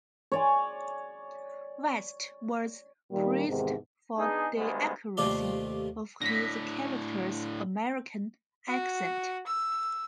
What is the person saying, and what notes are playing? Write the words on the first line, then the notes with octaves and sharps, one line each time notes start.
West was praised for the accuracy of his character's American accent.
C#5 D5 G#5
A#2 D#3 G3
E2 G#2 C3 D#3
B3 D4 D#4 G#4
D2 G2 G#3 B3 C5
D#2 C3 A3 F4 D5 C6
A2 D3 A#6 B6
F#4
E6